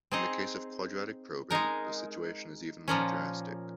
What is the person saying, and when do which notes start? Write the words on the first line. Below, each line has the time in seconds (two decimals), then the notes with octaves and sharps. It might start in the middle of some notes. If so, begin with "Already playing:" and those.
In the case of quadratic probing, the situation is even more drastic.
0.12 C4 D#4 G#4 D#5
1.50 G#3 D#4 A#4
2.88 A#2 F3 A#3 C#4